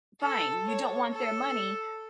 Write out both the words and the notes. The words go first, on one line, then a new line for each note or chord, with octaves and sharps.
fine. You don't want their money.
A4
C#5
A4